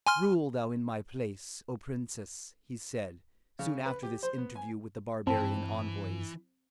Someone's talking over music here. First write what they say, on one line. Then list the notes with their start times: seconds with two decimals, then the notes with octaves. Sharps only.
"Rule thou in my place, O Princess!" he said, soon after this interview with the barbarian envoys.
0.07 G#5 C6 F6
3.59 C#3
3.86 B4
4.03 G4
4.23 C5
4.38 B3
4.55 G#5
5.27 G2 E3 C4 A5